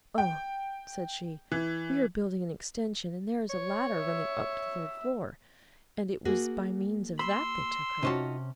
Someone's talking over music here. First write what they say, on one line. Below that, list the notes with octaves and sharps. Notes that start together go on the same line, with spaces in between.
"O," said she, "we are building an extension, and there is a ladder running up to the third floor, and it was by means of that they took her."
G5
E3
C#5
E5
A#3 F#4 G#4
B5 C6 E6
C3 C#4 D#4 F4 F#4 A5